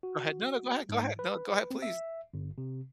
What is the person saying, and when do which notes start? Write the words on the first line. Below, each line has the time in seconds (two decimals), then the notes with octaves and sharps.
go ahead. No, no, go ahead, go ahead. No, go ahead, please.
0.03 F#4
0.89 G#2
1.19 B4
1.71 C4
1.82 E5
2.34 G1
2.58 C3